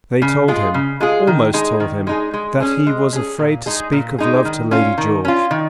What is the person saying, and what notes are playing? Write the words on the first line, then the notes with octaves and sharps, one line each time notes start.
They told him,--almost told him,--that he was afraid to speak of love to Lady George.
C#3
G#3 F4 G#4
C#3
G#3 F4 G#4
D#3
G#3 D#4 G#4
D#3
G#3 D#4 G#4
G#3
C#4 G#4
G#3
C#4 G#4
A#2
G#3 D#4 G#4
A#2
G#3 D#4 G#4
D#3
C#4 F4
D#3
C#4 F4
D#3